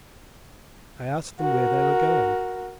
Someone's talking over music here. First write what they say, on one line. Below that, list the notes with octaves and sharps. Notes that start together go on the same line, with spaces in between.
I asked them where they were going.
F#4 A#4